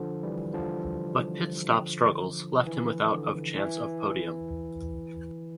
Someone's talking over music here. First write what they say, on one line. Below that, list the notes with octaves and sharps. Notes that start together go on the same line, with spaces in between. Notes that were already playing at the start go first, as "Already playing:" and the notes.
But pit stop struggles left him without of chance of podium.
Already playing: D3 F3
E3 G3
D3 F3
E3
D3
E3